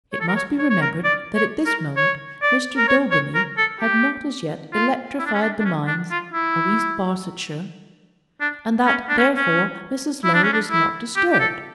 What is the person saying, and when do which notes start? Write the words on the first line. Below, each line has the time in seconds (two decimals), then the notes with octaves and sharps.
It must be remembered that at this moment Mr. Daubeny had not as yet electrified the minds of East Barsetshire, and that, therefore, Mrs. Low was not disturbed.
0.12 C#5
0.20 A4
0.28 A#4
0.36 C#5
0.59 C#5
0.70 C#5
0.82 A#4
1.04 D5
1.35 C#5
1.66 A#4
1.97 C#5
2.42 D5
2.77 A#4
2.88 C#5
3.11 C#5
3.35 A#4
3.58 A4
3.81 G4
4.73 F4
5.19 E4
5.26 D4
5.34 C#4
5.42 D4
5.60 D4
5.65 C#4
5.87 D4
6.11 F4
6.33 E4
8.41 D4
8.86 C#4
9.09 D4
9.18 C#4
9.36 C#4
10.24 E4
10.34 D4
10.43 C#4
10.53 D4
10.71 E4
11.16 G4
11.32 G4
11.40 A4